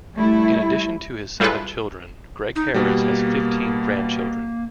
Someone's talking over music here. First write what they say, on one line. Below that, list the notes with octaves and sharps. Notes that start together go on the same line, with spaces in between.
In addition to his seven children, Gregg Harris has fifteen grandchildren.
G3 A3 E4
G3 E4 F4 G#4 A4 B4
D#4
B2 G3 A#3